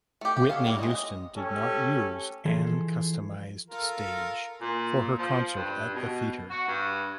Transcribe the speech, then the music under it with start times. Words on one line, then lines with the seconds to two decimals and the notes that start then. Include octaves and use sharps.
Whitney Houston did not use an customized stage for her concert at the theater.
0.21 A3 G4
0.37 G4
0.49 B3 A4 C#5 F5
0.65 F#3 G3 A#3 E4
0.79 G#3 D#5
0.91 D#5
1.36 A3 C#4 G4 A4
2.45 E3 F3 G#4 A4
3.70 F4 A4 A#4
4.62 A#2
5.19 F3
5.56 G2
5.95 B2
6.50 F#4
6.67 G2